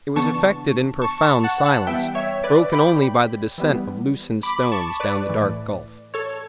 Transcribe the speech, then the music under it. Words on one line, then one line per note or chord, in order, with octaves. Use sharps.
It was effected in profound silence, broken only by the descent of loosened stones down the dark gulf.
C#3 E3 B3 D4 A5 C#6
A5 C#6
A5 C#6
F#5 A5
F#5 A5
E3 G3 B3 E5 G5
C#5 E5
B4 D5
G5 B5
E3 G3 B3
B5 D6
A5 C#6
B4 D5
A2 E3 A3
A4 C#5